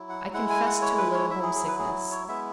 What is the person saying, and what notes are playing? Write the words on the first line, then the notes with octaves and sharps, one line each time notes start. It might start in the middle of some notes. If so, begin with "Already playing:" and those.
I confessed to a little homesickness.
Already playing: F#3 E4
F#5
G#3 E4 F#5
G#5
F#5
C#5
B4
C#5
F#3 E4 E5
G#4
G#4
B4
G#4
C#5
G#3 B3 E4 E5